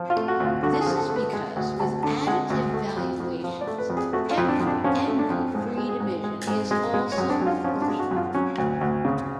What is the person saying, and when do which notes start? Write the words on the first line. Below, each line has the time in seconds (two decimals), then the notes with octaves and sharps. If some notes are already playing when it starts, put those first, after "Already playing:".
This is because, with additive valuations, every envy-free division is also proportional.
Already playing: F3
0.10 F4
0.16 A3
0.28 F#4
0.40 D2
0.46 F4
0.63 D3 F#4
0.73 A4
0.81 G#4
0.86 F3
0.98 A4
1.10 A3
1.16 B4
1.33 G#3
1.56 D2 F#5
1.80 D2 A5
2.03 D3 A5
2.27 G#3 F#5
2.50 D2
2.74 A3
2.97 F2
3.20 F2
3.44 F3
3.61 D5
3.67 A3
3.78 B4
3.90 F2
3.97 G#4
4.13 A3 F#4
4.31 F4
4.38 F2
4.49 D4
4.60 F2
4.67 D4
4.84 F3 C#4
5.08 A3
5.19 D4
5.30 F2
5.55 G#2
5.77 G#3
5.89 G#4
6.00 G#2
6.24 G#3
6.47 G#2
6.71 G#3
6.94 G#3
7.12 C#5
7.18 F#2
7.30 D4
7.41 F#2
7.46 F4
7.64 F3 C#4
7.82 D4
7.88 G#3
8.00 F#4
8.11 F#2
8.16 F4
8.34 F#3 C#4
8.58 D2
8.81 D2
9.05 C#3